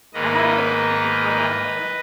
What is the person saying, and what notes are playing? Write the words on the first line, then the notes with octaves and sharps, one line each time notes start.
I had a computer before that, though.
G#2 D#3 A#3 B4 D#5